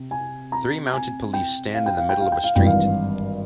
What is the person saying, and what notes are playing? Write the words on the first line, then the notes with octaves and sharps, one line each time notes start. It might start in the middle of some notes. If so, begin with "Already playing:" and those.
Three mounted police stand in the middle of a street.
Already playing: C3
G#5
A#5
G#5
G5
F5
G5
F5
G5
F5
G5
F5
G#1 G2 E3 G5
F5